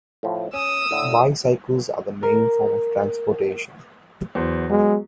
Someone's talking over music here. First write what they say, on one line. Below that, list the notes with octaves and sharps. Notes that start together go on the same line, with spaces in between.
Bicycles are the main form of transportation.
A2 F3
C#4 D#6 E6
A2 D3
A#4
E2 F#3 C5
F#3 G#3 B3